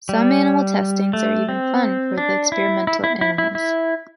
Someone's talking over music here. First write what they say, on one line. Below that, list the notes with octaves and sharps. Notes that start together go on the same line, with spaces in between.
Some animal testings are even fun for the experimental animals.
G3
A3
C4
D4
E4
E4
E4
E4
E4
E4